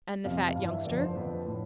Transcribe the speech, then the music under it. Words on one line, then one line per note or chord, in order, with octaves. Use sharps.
"And the fat youngster?"
F2 C3 F3 F5
G2 E3 F5
E5
F2 D3 F3 D5
C5
F2 D3 F3 B4
A2 F3